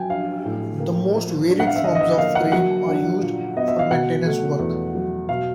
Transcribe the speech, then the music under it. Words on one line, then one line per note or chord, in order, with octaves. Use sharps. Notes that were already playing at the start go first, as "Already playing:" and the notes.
The most varied forms of crane are used for maintenance work.
Already playing: F#3 G5 G#5
D4 F5
A2
A#3
F3
D4
F#5
F5
E5
D3 D#5
D#5
E5
A#3 F5
F#5
F#3 F#5
D4
A#2
B3 D#5
E5
F5
B2 F#5
A3
E2
F#3
B2 F5